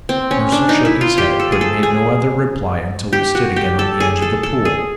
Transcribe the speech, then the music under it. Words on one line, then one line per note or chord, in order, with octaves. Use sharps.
Mercer shook his head, but made no other reply until we stood again on the edge of the pool.
C4
C#4
D4
D#4
E4
F4
G4
A4
G#4
A4
G#4
G4
F#4
G4
A4
G#4
A4
A4
G#4